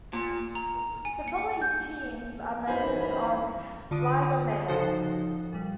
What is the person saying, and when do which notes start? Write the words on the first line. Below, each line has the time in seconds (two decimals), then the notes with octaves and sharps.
The following teams are members of "Liga Mayor".
0.13 A#2
0.55 A#5
1.05 G#5
1.28 C#7
1.62 G6
2.68 F#2 E3 D#4 C5 G#5 B5
3.91 D3 F4 A5 D6 D#6 D#7
4.68 C#3 F3 D#4 F#4 A4 C5
5.53 A#2 G3